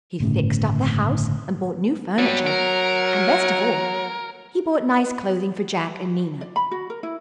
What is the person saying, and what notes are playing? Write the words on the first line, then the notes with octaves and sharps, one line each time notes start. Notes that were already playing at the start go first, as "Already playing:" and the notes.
He fixed up the house and bought new furniture, and, best of all, he bought nice clothing for Jack and Nina.
G1 A2 C#3
F#3 G3 B4
A#4
D5
B5
F#4
A#4
E4